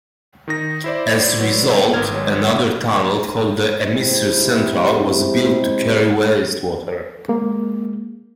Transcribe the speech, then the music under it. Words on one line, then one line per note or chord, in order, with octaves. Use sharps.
As a result, another tunnel, called the Emisor Central, was built to carry wastewater.
D#3 D#4 A#6
E4 C5 D5
F#3 B3
G#1 G#2 A#4 G#6
F#3 G#3
C3 G#3 C4 E4 G4
G#3 A#3